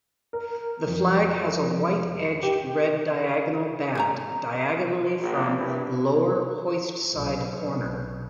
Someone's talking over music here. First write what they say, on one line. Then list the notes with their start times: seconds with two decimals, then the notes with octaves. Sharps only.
The flag has a white-edged red diagonal band diagonally from the lower hoist-side corner.
0.33 A#4
0.87 F2
2.25 C#7
2.43 G4
3.95 C#3 G#3 A#5
5.20 A#1
5.58 G2 E4
7.14 B1 B2